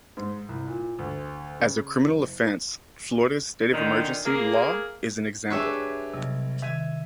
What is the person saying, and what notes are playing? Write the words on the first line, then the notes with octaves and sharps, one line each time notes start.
As a criminal offense, Florida's "state of emergency" law is an example.
G#2
C2
A#2
D2
C#3
F#1
A#2 D3 D#3
A#3 G#4
D4 G4 G#4 B4 C#5 E5
B1 C3 G3
D#3 E5 G#6 D#7